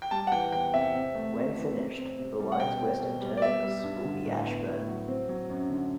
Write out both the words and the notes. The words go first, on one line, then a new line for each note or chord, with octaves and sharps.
When finished, the line's western terminus will be Ashburn.
G5
G3 A5
F#5
E3 G5
E2 G5
C3 E5
C3
A3
C3
E3
C3
C4
C3
G3
F#5
B2 G5
C4
B2
G3
D5
B3 E5
G3
G2
D3
A2
B3
A2
F#3
C4
F#3
F#2
D3